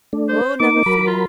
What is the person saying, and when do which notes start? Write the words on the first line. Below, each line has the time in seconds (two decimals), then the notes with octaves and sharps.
'Oh! never fear!
0.13 A3 D4
0.29 C5
0.60 A#3 D#4 D6
0.86 F#3 A#4 B5
1.07 F4